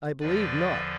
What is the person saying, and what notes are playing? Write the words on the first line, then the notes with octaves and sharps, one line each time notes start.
"I believe not."
E2 D3 F3 B4 D5